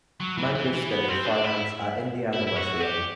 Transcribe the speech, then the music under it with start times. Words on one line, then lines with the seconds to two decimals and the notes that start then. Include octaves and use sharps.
Mangas studied finance at Indiana Wesleyan.
0.20 F#3
0.37 E3
0.55 E3
0.73 E3
0.90 B3
1.08 C4
1.26 D4
1.44 E4
2.33 E4
2.47 E4
2.56 F#4
2.80 G4